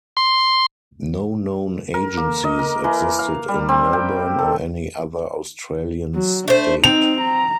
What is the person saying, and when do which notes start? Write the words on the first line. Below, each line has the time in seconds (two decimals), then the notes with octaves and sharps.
No known agencies existed in Melbourne or any other Australian State.
0.17 C6
1.94 A#4
2.17 A#3
2.44 D#5
2.59 A#4
2.84 E3
3.19 F5
3.48 G3
3.69 C4
3.93 G5
4.39 A4
6.15 F#3
6.48 A3 D4 C5
6.84 C4 D#4 F7
7.21 A#5